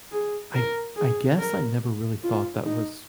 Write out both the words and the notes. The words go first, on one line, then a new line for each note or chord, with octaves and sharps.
I I guess I never really thought that was
G#4
A#4
G#4
A#4
F4
D#4